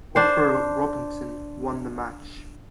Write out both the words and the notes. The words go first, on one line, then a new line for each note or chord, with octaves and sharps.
Corporal Robinson won the match.
D4 C5